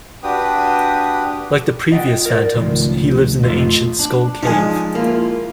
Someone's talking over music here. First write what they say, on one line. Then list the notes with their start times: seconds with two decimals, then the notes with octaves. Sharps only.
Like the previous Phantoms, he lives in the ancient Skull Cave.
0.23 D4 F#4 G4 B4 G5 D#6
1.91 F4 D#5 F#5 G5
2.26 A#4 D5
2.54 C#2 A2 D#3 F3
3.44 F2 A3 F4 D#5 C6
3.99 D4
4.43 F3 G#3 D#4 D#5 G#5
4.95 A#3 E4 F4